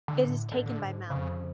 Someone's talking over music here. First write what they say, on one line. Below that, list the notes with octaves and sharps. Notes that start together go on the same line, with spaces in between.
It is taken by mouth.
D3
A2
A2 D3
D3
G#2
F2 C#3